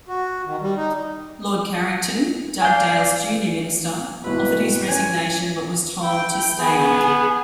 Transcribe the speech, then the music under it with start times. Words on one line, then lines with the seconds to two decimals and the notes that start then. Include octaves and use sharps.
Lord Carrington, Dugdale's junior minister, offered his resignation but was told to stay on.
0.08 F#4
0.46 D#3
0.61 G3
0.77 D#4
2.62 D5 F5 G#5 G6
4.24 G#1 B2 E4 B4
4.87 C#4 G#5
6.03 E4 G5
6.60 B3 G#4